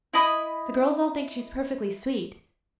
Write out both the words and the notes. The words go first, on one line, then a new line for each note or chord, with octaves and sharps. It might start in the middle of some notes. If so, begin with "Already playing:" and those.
The girls all think she is perfectly sweet.
E4 D#5 B5 D#6